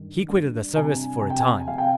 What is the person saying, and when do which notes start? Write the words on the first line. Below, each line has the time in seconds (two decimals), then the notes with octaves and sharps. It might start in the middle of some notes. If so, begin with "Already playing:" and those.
"He quitted the service for a time."
Already playing: G2 D#3
0.29 G2
0.76 C3 G#5
1.21 C3 G#5
1.30 G5
1.40 G#5
1.68 C3 F5
1.78 G5